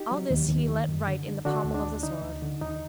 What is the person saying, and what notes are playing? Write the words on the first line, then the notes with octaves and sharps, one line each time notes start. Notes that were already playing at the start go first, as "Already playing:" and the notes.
All this he let write in the pommel of the sword.
Already playing: D#4 G4
F#3
D#2
D#2
D#3
F#2
D3
D3
D3 D4 F#4
D2
D4
D2
D3 D#4
D2
D3
D#2 D#4